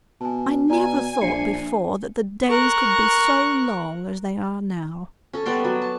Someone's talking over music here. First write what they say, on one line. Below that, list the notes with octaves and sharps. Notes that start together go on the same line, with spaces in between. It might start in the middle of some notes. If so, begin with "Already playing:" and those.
"I never thought before that the days could be so long as they are now."
B2 G#5 A5
B2 D5 G#5 A#5
A#1 D4 E5 C7 C#7
A#4 C#6 F#6
C#4 A4
G3 B3 D5 C6
F#3
A5